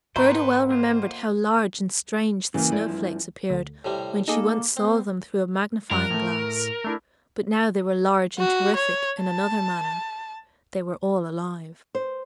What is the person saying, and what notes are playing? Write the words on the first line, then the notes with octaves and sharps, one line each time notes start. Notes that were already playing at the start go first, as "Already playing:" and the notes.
Gerda well remembered how large and strange the snow-flakes appeared when she once saw them through a magnifying-glass; but now they were large and terrific in another manner--they were all alive.
G#2 D#3 A3 B3 B4 C5 C#6
A#3 F4 C5
C#3 E3 A#3
F2 A3 E4 D5
G2 F3
D2
A2 C3 G3
A#3 D#4 G#4 A4
B3 C4
F#2 G3 A#4 F#6
A2 A3
A3 D4 E4
F#4
C#5
A5
C5